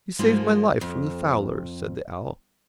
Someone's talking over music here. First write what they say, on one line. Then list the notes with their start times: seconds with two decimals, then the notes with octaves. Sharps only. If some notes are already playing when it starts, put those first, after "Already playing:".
"You saved my life from the fowlers," said the owl.
0.19 G#2 F3 G3 G#3 A#3 D4
0.81 F2